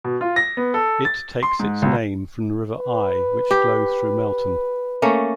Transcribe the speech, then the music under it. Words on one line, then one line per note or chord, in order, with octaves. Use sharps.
It takes its name from the River Eye which flows through Melton.
B2
F4
A#6
B3
A4
A6
C6
G#2
C#2
B4
G4
A3 A#3 C#4